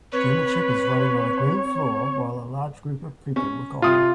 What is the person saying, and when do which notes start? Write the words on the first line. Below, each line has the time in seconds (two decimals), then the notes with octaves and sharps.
German Shepherds running on a green floor while a large group of people look on.
0.12 C4 B4 C#5
3.36 C#4
3.82 C3 F4 D#6